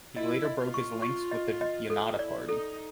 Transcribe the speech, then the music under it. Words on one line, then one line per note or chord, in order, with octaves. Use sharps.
He later broke his links with the Janata Party.
E4 D#5
D#5
F4
C#6
C#6
D#5
D#5
F4 A4
E4 D5
D#4 A4